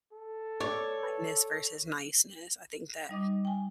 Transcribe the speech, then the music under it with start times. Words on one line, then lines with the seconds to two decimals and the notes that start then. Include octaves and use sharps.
kindness versus niceness. I think that
0.13 A4
0.60 C#5 D5
3.09 G3 D#4 D#5 D6
3.45 G5 G#5